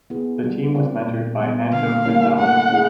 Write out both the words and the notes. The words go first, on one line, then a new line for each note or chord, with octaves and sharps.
The team was mentored by Anto Gonzales.
B3 E4 G#4 B4
G3
C4 F4 A#4 D5
A#2
G3 B3
D3 F5
G3 A#3 C#4 E4
A3 F#5
C#4 E4 G#4